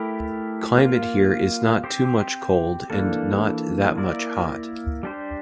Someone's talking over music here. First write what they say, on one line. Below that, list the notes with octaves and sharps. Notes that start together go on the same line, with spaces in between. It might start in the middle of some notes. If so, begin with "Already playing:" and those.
Climate here is not too much cold and not that much hot.
Already playing: A3 E4 G4 A#4
A#3 F4 A#4
C4 G4 C5
E3 A#3 D4 A4
A#3 E4 A#4 D5
G3 D4 G4 C5